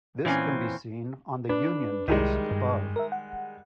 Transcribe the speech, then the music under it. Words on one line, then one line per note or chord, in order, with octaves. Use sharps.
This can be seen on the Union disk above.
A#2 E3 C4 C#4 G#5
D4 B4
C2 D#3 G3 G#3 D#4 E4
G2
A#4 E5
F#5